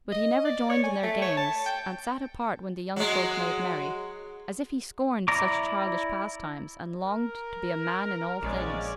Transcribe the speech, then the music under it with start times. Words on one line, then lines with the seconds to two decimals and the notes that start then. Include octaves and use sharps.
But he never joined in their games, and sat apart when the young folk made merry, as if he scorned such childish pastimes and longed to be a man in all things.
0.12 D#5
0.45 D5
0.70 C#5
0.84 G#5
1.03 A3
1.22 C#5
1.37 A5
1.66 G5
2.96 F#3 G#3
5.28 E4 D5 A#5 D6
7.04 A#4
8.43 A#1 G#3 C#4 D5